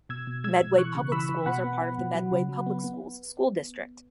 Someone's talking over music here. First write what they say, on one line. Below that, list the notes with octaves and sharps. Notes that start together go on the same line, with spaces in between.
Medway Public Schools are part of the Medway Public Schools school district.
B2 E6 G#6
B2
G#3 E6 G#6
B2
E3 C#6 F#6
C#3
E3 B5 E6
E3
B2 F#5 B5
B3
B3
B2
F#3
C#3
F#3
B3
B3